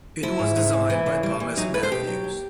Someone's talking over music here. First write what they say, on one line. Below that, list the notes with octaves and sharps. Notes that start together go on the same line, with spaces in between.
It was designed by Thomas Matthews.
F3 E4
G#2
G#2
G#2
E3
C#3
G3
E3
F#3 D#4
A3 B4
C5
B2 G4
F#3
D#2